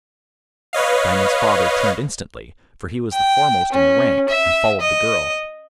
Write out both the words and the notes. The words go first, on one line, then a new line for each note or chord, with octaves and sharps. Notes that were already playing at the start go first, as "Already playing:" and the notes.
Diamond's father turned instantly, for he was the foremost in the rank, and followed the girl.
B4 C#5 D#5 F5
G5
C#4
E5
D#5